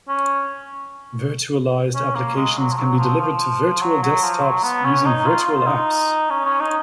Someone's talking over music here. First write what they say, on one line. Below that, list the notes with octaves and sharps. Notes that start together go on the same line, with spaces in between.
Virtualized applications can be delivered to virtual desktops using Virtual Apps.
C#4
C#4
A#3
G#3
F#3
F3
F#3
F3
F3
F#3
F#3
F3
F#3
B3
C#4
D#4
F4
F4
D#4
C#4
C#4
D#4